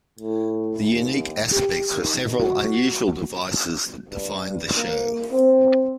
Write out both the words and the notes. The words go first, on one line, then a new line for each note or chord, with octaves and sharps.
The unique aspects were several unusual devices that defined the show.
A2
D#2
G4
D#3
F#4
G2
A#3
C4